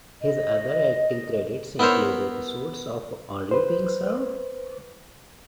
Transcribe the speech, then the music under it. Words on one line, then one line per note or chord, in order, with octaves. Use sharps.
His other acting credits include episodes of Are You Being Served?
D#5
B3 E4 A#4 C5 C#5
B4 C5